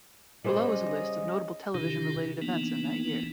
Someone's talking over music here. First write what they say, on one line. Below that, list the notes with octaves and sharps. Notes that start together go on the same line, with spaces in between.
Below is a list of notable television-related events in that year.
C#3 G3 C#4 G#4 C5 D#5
C3 D#3 D4 E4 F4 G4
E3 A#3 B3 D4 D#4